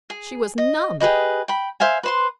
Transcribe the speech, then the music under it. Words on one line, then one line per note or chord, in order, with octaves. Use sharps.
She was numb!
G#4
D#5
G4 G#4 B4 D#5
G5 B5
C5 E5 F5 G#5
B4 C5 C6